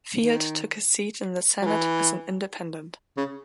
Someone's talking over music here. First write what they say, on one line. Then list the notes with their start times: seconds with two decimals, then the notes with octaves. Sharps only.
Field took his seat in the Senate as an independent.
0.16 D#3
1.62 F#3
1.67 E3
3.17 C#3